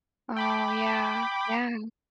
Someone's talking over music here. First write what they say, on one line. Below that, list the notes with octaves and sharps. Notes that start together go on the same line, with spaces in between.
Oh, yeah, yeah.
G5 B5 D6